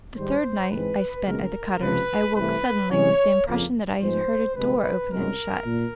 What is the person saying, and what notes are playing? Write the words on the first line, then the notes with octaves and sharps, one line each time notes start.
The third night I spent at the Cutters', I awoke suddenly with the impression that I had heard a door open and shut.
G#2 D#3 G3 C5
G#2 E3 G#3 C4 B4
C#2 B2 G#3 A#4
C#2 C3 F3 B4
C2 C3 E3 A3 B4
C3 E3 G#3 C#4 C#5
F2 C#3 F3 A#3
G#2 F3 G#3 B3 C5
D2 C3 F3 G#3 B4
C2 B2 G#3 C#4 A#4
A#2